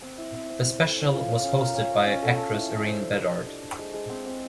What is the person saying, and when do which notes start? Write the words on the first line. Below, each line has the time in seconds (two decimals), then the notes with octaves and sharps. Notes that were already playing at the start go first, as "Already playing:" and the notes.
The special was hosted by actress Irene Bedard.
0.02 C4
0.18 E4
0.34 C4
0.50 C4
0.65 C4
0.82 A4
0.97 C#4
1.12 F4
1.28 C#5
1.44 C#4
1.60 A#4
1.75 C#4
1.90 C#5
2.06 C#4
2.23 A4
2.38 A4
2.53 E4
2.69 C#5
2.85 C5
3.00 D4
3.16 G4
3.32 D#5
3.47 D4
3.63 D4
3.79 G#3
3.94 G#3
4.10 C4
4.26 C4